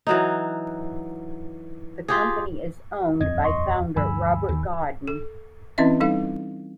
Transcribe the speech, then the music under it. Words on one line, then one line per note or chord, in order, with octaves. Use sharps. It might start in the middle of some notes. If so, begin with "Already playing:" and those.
The company is owned by founder Robert Godin.
E3 F#3 D#4
F4 G4 G#4
D#1 F2 C4 D#5 G#6
D#5 C6 C#6
D2 G2 F3 G#5 B5 E6
D#2 D#3
A4
E3 C4 C#4 E4 D#5 E5
G3 D#4 A4 F5